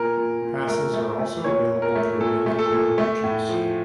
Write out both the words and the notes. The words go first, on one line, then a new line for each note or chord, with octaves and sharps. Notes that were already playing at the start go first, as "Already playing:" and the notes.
Passes are also available through many local merchants.
Already playing: A#2 A#4
A#2
A#2
A3 A#4
A3
A3
A#2 C#5
A#2
A#4
A3
A#2 A4
A3
A4
A#2
A3
A2
F3